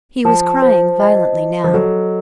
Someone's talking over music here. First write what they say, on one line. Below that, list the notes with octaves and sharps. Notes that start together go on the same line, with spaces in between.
He was crying violently now.
F3 A5
C5
D#5
D#5
F3
F#3 A4